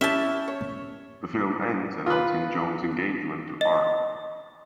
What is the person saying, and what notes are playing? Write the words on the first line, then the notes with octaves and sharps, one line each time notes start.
The film ends announcing Joan's engagement to Art.
C#4 E4 G4 E5 A5
C#5
F4 B4
D#5